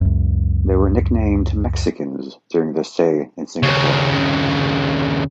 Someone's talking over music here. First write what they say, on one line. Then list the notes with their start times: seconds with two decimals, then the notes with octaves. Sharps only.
They were nicknamed "Mexicans" during their stay in Singapore.
0.01 C#2 F#2
3.63 D#2 C#3